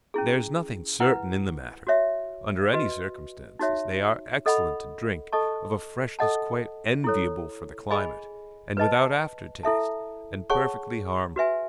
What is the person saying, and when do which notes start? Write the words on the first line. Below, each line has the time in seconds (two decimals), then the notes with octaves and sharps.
There is nothing certain in the matter. Under any circumstances, they are excellent to drink, of a freshness quite enviable for the climate, and without after-taste, and perfectly harmless.
0.14 C#4 E4 G#4
1.00 E4 B4 F#5
1.87 F#4 C#5 E5
2.73 F#4 B4 D#5
3.59 D#4 F#4 C#5 E5
4.46 A4 D#5 F#5 B5
5.32 A4 D#5 A5 C#6
6.19 A4 D#5 F#5 A5
7.04 E4 A4 C#5
7.91 G#4 D#5 G#5 B5
8.77 B4 D#5 A5
9.63 E4 A4 E5 A5
10.50 G#4 C#5 F#5 A5 C#6
11.36 F#4 B4 E5 G#5